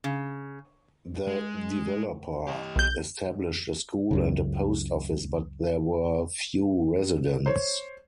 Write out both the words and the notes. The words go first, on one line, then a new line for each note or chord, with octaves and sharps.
The developer established a school and a post office but there were few residents.
C#3
G#3
G4 D#5
B1 G6
C#2 F#2 C#3
C5 C#5